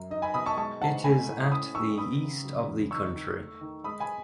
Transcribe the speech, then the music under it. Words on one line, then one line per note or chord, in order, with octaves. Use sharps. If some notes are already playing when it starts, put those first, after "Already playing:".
It is at the east of the country.
Already playing: F#2
D#4 D#5
G#5 B5
B2 B5 D#6
A5 C#6
G#3 A5 C#6
G#2 F#5 A5
A3 G#5 B5
A2
C#4 B5 D#6
D#3 C#6 E6
B3 B5 D#6
C#3
F#3
E2
D#4 C#6 E6
D#3
A3
D#3
G#3 B5 D#6
G#5 B5